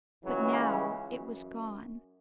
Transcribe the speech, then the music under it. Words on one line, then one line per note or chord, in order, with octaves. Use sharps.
But now it was gone.
C#2 C#3 E3 F#3
F#2 E3